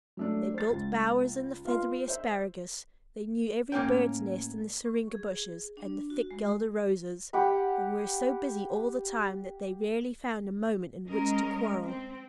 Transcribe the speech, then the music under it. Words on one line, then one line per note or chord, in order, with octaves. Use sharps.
They built bowers in the feathery asparagus; they knew every bird's-nest in the syringa-bushes and the thick guelder-roses, and were so busy all the time that they rarely found a moment in which to quarrel.
F#3 A3 D4
C5 A6
C#2
F4 B4 F5 C6
C5 E5
A2 A#3 C#4 G5
C#6
G#4
D4
F#4
G#3
G4 F#5 B5
G#3 C#4 A#4 D#5
C4